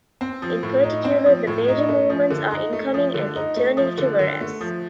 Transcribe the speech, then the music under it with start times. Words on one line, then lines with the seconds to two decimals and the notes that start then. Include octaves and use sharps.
In particular, the major movements are incoming and internally to Varese.
0.21 C4
0.42 F3
0.63 A2
0.83 D#4
1.04 C4
1.26 F3
1.47 A2
1.68 D#4
1.89 A3
2.10 F3
2.30 D3
2.51 D#4
2.73 A3
2.94 F3
3.14 D3
3.35 D#4
3.56 A3
3.77 F3
3.98 D3
4.19 D3
4.40 A3
4.61 F3